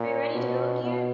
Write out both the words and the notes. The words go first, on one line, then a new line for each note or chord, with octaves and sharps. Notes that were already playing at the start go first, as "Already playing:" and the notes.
Are you ready to go, dear?
Already playing: A#2
B2
B2